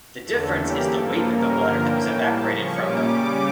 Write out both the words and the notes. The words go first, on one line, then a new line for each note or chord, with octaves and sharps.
The difference is the weight of the water that was evaporated from them.
E2 D3 A3 C#4 A4
C#3 E3 G3 A#3 G4
G2 F3 A#3 A4
C#3 G3 A#3 C#4 A#4
G2 D3 F3 A#3
A2 E3 A#3 C#4 G5
A2 G3 A#3 A5
C#3 F3 C#4 C#6
A#2 G3 A#3 C#4 D6
C#3 G3 C#4 D6